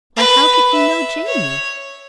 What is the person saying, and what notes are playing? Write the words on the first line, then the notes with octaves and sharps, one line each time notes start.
"Why, how could he know Jamie?"
B4
E5
C#5